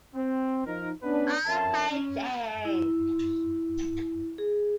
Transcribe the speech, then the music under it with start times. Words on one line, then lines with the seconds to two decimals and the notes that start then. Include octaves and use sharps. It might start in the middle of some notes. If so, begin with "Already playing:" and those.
I hate change.
0.15 C4
0.66 F3 D#4 A#4
1.03 B3 C#4 D4 B4
1.46 F2 C#4 A#4 E5 A5
1.90 C#4
2.65 E4
4.38 G#4